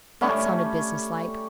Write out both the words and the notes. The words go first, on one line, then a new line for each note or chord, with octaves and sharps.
That sounded business-like.
G3 A3 C#4 G4